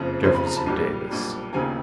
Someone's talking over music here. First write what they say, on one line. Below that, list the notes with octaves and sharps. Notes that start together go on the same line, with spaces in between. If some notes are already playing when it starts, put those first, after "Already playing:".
"Jefferson Davis."
Already playing: F#1 F2 C#3 F3
F#1 F2 C#3 F3 C6
B5
A#5
A5 B5
B1 A#2 G3
B1 A#2 G3
E1 D#2 C#3 F3 G#5 A#5